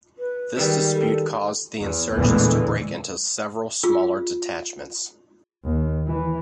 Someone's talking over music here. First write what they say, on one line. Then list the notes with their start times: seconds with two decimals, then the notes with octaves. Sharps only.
This dispute caused the insurgents to break into several smaller detachments.
0.19 B4
0.56 D#3 G3 G#3 E5
0.94 A4
1.80 E2
2.14 A#1 E2 A2 D3 E3 G#3
3.83 F4 G#4 E6
5.65 D#2
6.07 E3